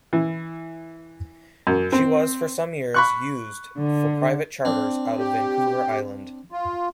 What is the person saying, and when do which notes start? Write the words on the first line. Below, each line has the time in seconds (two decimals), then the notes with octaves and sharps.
She was for some years used for private charters out of Vancouver Island.
0.13 E3
1.67 F#2
1.92 C4
2.94 B5 C#6 F#6
3.78 D3
4.65 C4 D4
5.19 G4
6.52 F4